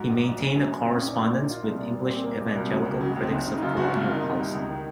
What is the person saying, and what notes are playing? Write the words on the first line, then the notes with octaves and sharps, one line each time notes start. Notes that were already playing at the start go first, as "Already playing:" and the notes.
He maintained a correspondence with English evangelical critics of colonial policy.
Already playing: G#2 F#3
A#1
F#1
C#3
F#2 G#3
F#1
A#2 C4
C#4
A#1 D#4
D#4
A#2 F4
A#1 F4
D#4
A#2 F4
C2
A#2
C2
A#2 C4
C2 A#3
A#2 G#3
C2 F#3
C#3 F#3
C#2 A#3
C#3 F#3
G#3
C#2
C4
F#1 D#4
C#3 D#4
D#4
F#2 F4
F#1 F#4
C2 F4
F4
D#3 D#4
C3
C2
C#2
D#3